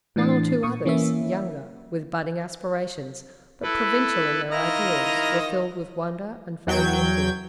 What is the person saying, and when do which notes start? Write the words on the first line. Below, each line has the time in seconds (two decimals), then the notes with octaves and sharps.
One or two others, younger, with budding aspirations, but provincial in their ideals, were filled with wonder and vague envy.
0.16 A2 E3 D4 A6 C7
0.63 A#2 C#6 D#6
0.85 E3 A#3 C#4 E4 E5
3.63 E4 A4 B4
4.51 D#3 E4 F4 D#5 A#5
6.67 E2 F#3 G5 G6 G#6